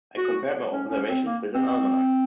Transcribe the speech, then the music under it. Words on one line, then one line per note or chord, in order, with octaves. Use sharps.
I compared my observations with an almanac.
F#4
C#4
C#4
C4
A#3
C4
C4